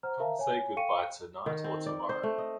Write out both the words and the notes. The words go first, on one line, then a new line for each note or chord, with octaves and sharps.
Come say goodbye tonight or tomorrow.
C5 F#5 A#5 F6
A#4 E5 F5 A5 A#5
C#5 G#5
A4 F5 G5 C#6 C#7 D#7
D#3
C4
D5
C5
A3
D#5